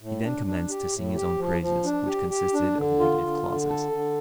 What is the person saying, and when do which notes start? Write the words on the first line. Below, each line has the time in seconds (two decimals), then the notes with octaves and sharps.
He then commenced to sing his own praises, which consisted of negative clauses.
0.01 A2
0.23 D4
0.46 D4
0.70 G4
0.92 A2
1.16 G4
1.38 F3
1.61 F3
1.84 D4
2.07 G4
2.30 G4
2.53 D4
2.77 D3
2.99 F4
3.22 D3
3.45 D3
3.68 A4
3.92 D3